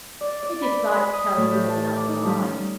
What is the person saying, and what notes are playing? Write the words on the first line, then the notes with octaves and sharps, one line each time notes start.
He dislikes telling her another lie.
D5
D5
B5
B5
D#6
A2
G4
A5
D6
D#4
G3
C#4